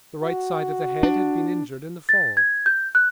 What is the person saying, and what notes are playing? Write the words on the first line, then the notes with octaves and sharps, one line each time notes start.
The right side of the head had been injured in the fall.
F#4
D4
A6
G#6
G6
F#6